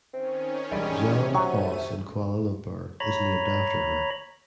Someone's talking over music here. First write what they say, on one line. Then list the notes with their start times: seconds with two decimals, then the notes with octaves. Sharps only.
Jalan Foss in Kuala Lumpur is named after her.
0.13 D#3 C4 C#4
0.71 E1 G3 G#3 D5
1.34 C3 F#3 A3 C#6 D#7
3.00 C#5 A#5 B5